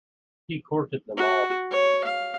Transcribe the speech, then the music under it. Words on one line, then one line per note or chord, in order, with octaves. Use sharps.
He courted them all.
F#4
C#5
F5